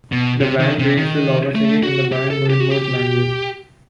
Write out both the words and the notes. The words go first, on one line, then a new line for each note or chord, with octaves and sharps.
The band breaks the law by singing in the banned Mohelmot language.
B2
C3
D#3
C3
D#3
A3
F#4
G4
A4
G4
F#4
G4